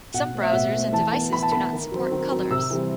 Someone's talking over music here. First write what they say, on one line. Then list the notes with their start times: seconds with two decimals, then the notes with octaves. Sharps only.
Some browsers and devices do not support colors.
0.14 B2 F#5
0.34 A3 C4
0.42 E5
0.53 B2 F#5
0.73 A3 C4
0.92 E3 A5
1.13 B3
1.32 E3 B5
1.42 A5
1.52 B3 B5
1.72 D#3
1.92 F#3 C4
2.11 D#3
2.32 F#3 C4
2.50 C3 E6
2.70 E3 G3 C4